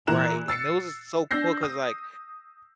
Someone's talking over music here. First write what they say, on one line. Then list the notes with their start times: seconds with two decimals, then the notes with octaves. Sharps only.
Right. And those are so cool 'cause, like,
0.07 A#2 E3 A#5 F#6 E7
0.48 E6 A6 C7 C#7
1.31 D4 E6 G6 A#6 C7
1.63 D#6